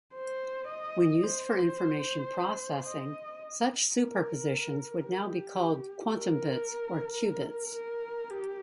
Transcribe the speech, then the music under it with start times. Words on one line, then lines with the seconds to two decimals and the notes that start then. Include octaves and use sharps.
When used for information processing, such superpositions would now be called "quantumbits" or qubits.
0.15 C5
0.69 D#5
1.24 C5
2.86 D#5
3.95 A#4
5.04 G4
6.12 A#4
7.75 A#4
8.30 G4